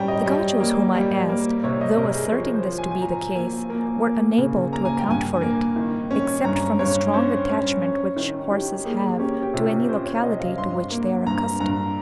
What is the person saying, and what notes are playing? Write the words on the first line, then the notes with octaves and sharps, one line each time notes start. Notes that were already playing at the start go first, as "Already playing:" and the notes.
The Gauchos whom I asked, though asserting this to be the case, were unable to account for it, except from the strong attachment which horses have to any locality to which they are accustomed.
Already playing: G3 C#4 G5 A#5
D#5
G3
A#3
G3
A#3
C3 C#5
D#5
C3 A#4
G#4
F3 C#5
C5
F3
G#5
G#5
F3 A#5
A#3 G#5
A#3 G#5
A#3
C#3
A#3 A#5
G#5
G5
G2 G#5
A#3
D#3
C#4
G2 A#5
G2 C#5
C#4 C5
C#4
C#4
D#3
D#3 G4
A#3 G#4
C#4 G4
G4
C3 F4
C#4 C5
C#5
C3 D#5
F5
G2 C6
A#3
G2 A#5
G2 A#5